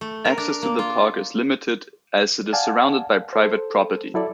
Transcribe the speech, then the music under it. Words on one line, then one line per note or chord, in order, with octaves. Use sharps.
Access to the park is limited as it is surrounded by private property.
A3
A#4
D4
A#3
F4
D5 F5 F#5 G#5 A5
A4 C5
F#3 E4 A4 D5